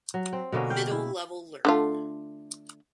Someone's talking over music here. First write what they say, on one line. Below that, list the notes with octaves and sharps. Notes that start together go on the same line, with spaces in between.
Middle Level Learning.
F#3
C4
B2 D3 A#3 C#4
F5 G5
E4
D3 A3 F4